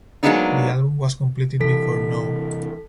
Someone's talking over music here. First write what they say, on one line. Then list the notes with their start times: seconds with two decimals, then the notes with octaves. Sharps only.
The album was completed before "No".
0.23 F#3 G#3 A#3 B3 D4 D#4
1.61 C3 E3 A4 B6